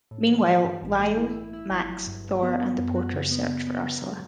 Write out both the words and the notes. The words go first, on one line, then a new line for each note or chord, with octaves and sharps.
Meanwhile, Lyle, Max, Thor, and the porters search for Ursula.
A2
E3
E3
G2
A1
A3
E4
E4
E4
G1
F#3
G2
G2
B3
B3
F#2
F#4
C#3
B3
C#3
B3
C#3
F#3